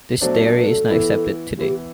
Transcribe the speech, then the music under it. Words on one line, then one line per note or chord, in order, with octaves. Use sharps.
This theory is not accepted today.
B2 F#3 A3 D4 C5
B4
A4
E3 B3 E4
E3 B3 E4 G4